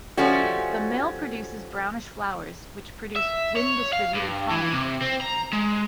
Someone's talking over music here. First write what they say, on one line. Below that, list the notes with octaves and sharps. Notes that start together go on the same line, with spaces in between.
The male produces brownish flowers which produce wind-distributed pollen.
F3 G3 A3 C#4 F#4
E5
C#5
F5
G2
E3
C3
C4
A#5
G#3